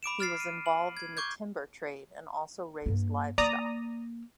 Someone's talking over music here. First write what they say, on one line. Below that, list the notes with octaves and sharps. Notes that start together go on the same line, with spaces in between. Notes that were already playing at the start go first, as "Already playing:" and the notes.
He was involved in the timber trade and also raised livestock.
B5 D6 D7 E7
F6 A6 C7
D#7
F#7
G#6
C#6 D6 G6 G#6
G2 A#3
A#3 D5 A#5 D#6